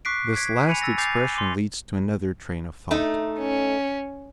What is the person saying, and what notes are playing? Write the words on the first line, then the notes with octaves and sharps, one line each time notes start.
This last expression leads to another train of thought.
C#6 D6 F#6 B6 C7 D7
G#6 B6 D7
G#5 B5 C#7 D#7 F7
E6 A6 A#6
G#5 D6 G6 A6 C7 F7
C6 D6
A3 D#4
C#4